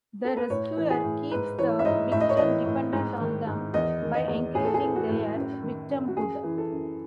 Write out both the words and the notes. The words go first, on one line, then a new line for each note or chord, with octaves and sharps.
The rescuer keeps the victim dependent on them by encouraging their victimhood.
A4
B4
A2 C#5
E3
G#4
A2
G#2 B4
E3 C#5
E5
G#2 D#5
A2 E5
D#5
C#5
E3 D#5
A2
G#2
D#3
G#2
E2 D#5
D#3
D#5
E2
A2 G#4
A4
G#4
E3
F#4
A2
F#2
D#3
F#2
F#4
F#2 G#4
E3
A4
F#2